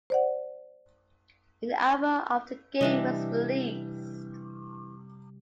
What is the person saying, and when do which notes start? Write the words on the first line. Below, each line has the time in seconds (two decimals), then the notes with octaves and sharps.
An alpha of the game was released.
0.10 C5 D5 F#5
2.81 C3 E3 G3 D4 G4 D#5